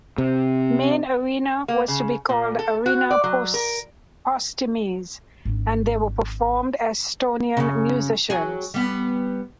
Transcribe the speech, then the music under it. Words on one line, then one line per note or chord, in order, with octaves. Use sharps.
Main arena was to be called arena "Postimees" and there were performed Estonian musicians.
C3
A#3
C#3
A#2
A4
F#4
D5
F#3
A#4
G#1 D4
F#2 C#3
F#3 G#4
G3 B3